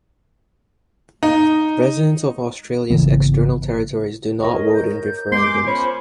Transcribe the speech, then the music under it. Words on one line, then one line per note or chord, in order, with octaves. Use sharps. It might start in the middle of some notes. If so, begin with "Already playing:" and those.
Residents of Australia's external territories do not vote in referendums.
D#4
G#1 C#3 E3 B3
A#4 C#5 D#5
G6
G#3 B3 C6 D6
C#4 F4 C5 B5